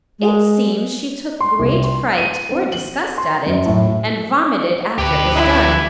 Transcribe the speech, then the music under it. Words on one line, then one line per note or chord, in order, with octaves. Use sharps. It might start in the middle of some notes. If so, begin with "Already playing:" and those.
It seems she took great fright or disgust at it, and vomited after it was done.
G#3
C6
C2
C6
D#7
C4
F#7
C6
F#2
A2
D2 G4 B4
E4